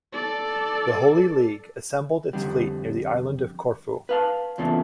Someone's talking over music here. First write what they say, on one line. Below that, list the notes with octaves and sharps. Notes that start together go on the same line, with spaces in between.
The Holy League assembled its fleet near the island of Corfu.
A4 D5
F2 D3 G3
B4 F5 A5
E2 A#2 C#3 F3 A3 A4